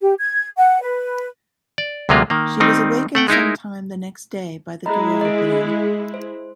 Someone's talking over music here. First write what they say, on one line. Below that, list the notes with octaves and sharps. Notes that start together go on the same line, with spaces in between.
She was awakened some time the next day by the door opening.
G4
G#6
F#5
B4
D5
D2 C3 F#3 G#3 A#3 F4
D#3 A#3
D#3 G3 C4 D#4
A3 F#5 G5
G#3 D#4 E4 A#4
G#3 E4 D#5 A#5 B5
G#4 D#5
C5